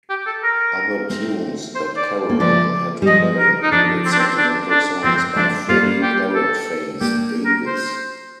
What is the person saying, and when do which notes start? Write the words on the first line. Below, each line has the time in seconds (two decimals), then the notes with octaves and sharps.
Other tunes that Caroline had to play included "Sentimental Songs" by Freddie "Parrotface" Davies.
0.10 G4
0.26 A4
0.43 A#4
1.10 A3 C4
1.75 C5
1.97 D5
2.30 A#3
2.40 F3 A3 D5
3.02 G3
3.07 F3 D#5
3.39 A#4
3.63 D#4
3.72 F3 D4
4.05 C4
4.12 D4
4.20 C4
4.37 D4
4.70 D4
5.04 F3 C4
5.36 F3 A3 D4
5.69 G3 A#3 F4
6.03 G4
6.36 A4
7.01 A#3 D4 G4
7.45 A#4
7.67 C5